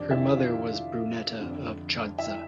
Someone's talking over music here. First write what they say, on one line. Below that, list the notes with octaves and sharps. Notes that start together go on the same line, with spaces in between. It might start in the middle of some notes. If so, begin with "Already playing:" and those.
Her mother was Bruneta of Chodcza.
Already playing: F2 C3 D#3 D4 D5
E4 E5
F4 F5
F2 D3
E4 E5